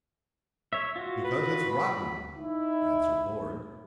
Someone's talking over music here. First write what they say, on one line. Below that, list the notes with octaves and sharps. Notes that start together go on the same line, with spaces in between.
"Because it's rotten!" answered Borg.
C#5 E5
F4 F#4
B4
B5
D#4 E4